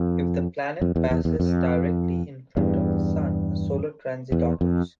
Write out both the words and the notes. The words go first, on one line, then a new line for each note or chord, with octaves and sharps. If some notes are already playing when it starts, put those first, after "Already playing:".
If the planet passes directly in front of the sun, a solar transit occurs.
Already playing: F2
F2
E2
E2
E2
F2
E2 G2
E2
F2